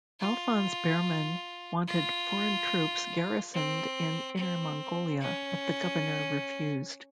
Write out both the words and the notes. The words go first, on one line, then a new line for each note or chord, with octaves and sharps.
Alfons Bermyn, wanted foreign troops garrisoned in Inner Mongolia, but the Governor refused.
F4
F4
C4
C4
C#4